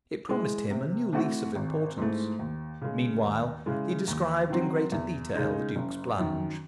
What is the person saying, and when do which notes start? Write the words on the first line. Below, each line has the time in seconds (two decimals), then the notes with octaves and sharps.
It promised him a new lease of importance. Meanwhile, he described in greater detail the Duke's plunge.
0.29 E3 G#3
0.70 C3
1.13 E3 A3 C4 F#4
1.55 G#1
1.97 G#2 E3 A3
2.39 D#2
2.81 C#3 G#3
3.24 D#2
3.66 C#3 E3 G#3
4.08 D#2
4.49 D#3 F#3 C4
4.92 E2
5.35 C#3 G#3 D#4
5.76 F#1
6.18 F#2 D#3